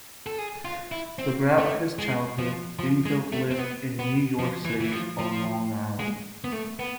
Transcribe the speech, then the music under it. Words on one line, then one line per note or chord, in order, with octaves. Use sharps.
Throughout his childhood, Greenfield lived in New York City, on Long Island.
A4
G#4
F4
E4
C4
A3
G#3
F3
F3
G#3
A3
C4
B3
B3
F3
E3
E3
F3
F3
G#3
B3
A3
B3